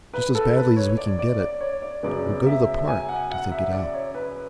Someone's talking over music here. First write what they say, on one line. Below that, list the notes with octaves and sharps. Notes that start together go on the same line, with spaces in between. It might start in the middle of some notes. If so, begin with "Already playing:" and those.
Just as badly as we can get it. We'll go to the Park to think it out.'
B4
A4
B4
C#5
D5
D5
D5
C#5
D5
F#2 C#3 G#3 B3 D5
E5
G#5
F#5
F#5
E5
D5
C#5
B4